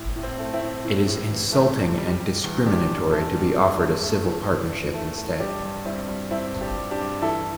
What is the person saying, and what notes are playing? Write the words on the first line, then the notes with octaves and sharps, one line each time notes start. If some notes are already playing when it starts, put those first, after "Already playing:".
It is insulting and discriminatory to be offered a civil partnership instead.
Already playing: A2
A2
C4
A3
C4 E4
A2
A2
A2
E3
A3
G3
G3
G3
E2
E2 D4 G4
E2
E2 E4 A4
G3
G2
G2
A3
E3
E3
E3
A3
A3
G3 D4 G4
G2
G3 C4 E4
G3
G2 C4 E4
G2
D4 G4
G3
D4 G4
G2
E3 E4 A4